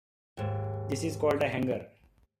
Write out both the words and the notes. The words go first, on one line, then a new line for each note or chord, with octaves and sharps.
This is called a hanger.
D#2 G#2